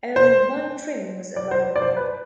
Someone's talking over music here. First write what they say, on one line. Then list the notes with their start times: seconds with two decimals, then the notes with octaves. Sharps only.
Only one trim was available.
0.16 C5
1.36 D5
1.51 C5
1.76 D5
1.82 C5
1.97 B4